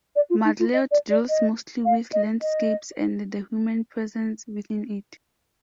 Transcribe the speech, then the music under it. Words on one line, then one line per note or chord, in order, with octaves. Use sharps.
Macleod deals mostly with landscapes and the human presence within it.
D5
F4
D#4
F4
D#5
D5
D5
D#5
F5
D#5
D#5